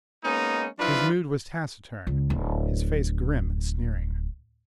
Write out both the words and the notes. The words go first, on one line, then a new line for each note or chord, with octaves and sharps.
His mood was taciturn; his face grim and sneering.
G#3 A#3 B3 C#4 D#4
F3 F#3 D4 E4 F4 B4
C#2
D1